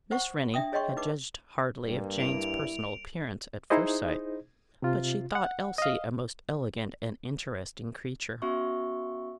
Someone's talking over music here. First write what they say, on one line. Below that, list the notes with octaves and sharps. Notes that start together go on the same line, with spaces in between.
Miss Rennie had judged hardly of Jane's personal appearance at first sight, but she thought Elsie a most elegant and interesting creature.
C5 F#5 C#6
D4 E5 G5 D#6
G#4 C#5 D#5 G5 C6 C#6
D#4 B4 D6
G2 G3 A#3
E4 D7 F7
D#4 E4 G#4 C5 D#5
C3 F4
F#5
D#5 F5
B3 C#4 F#4 E5 C#6